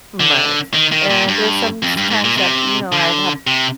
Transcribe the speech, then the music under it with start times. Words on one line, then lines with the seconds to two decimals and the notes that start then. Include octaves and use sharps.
M right, and there's sometimes that, you know, I've had
0.20 D3
0.74 D#3
0.92 D#3
1.10 A#2
1.28 G2
1.83 F2
1.97 G2
2.10 G#2
2.25 A#2
2.38 C3
2.92 D3
3.47 C3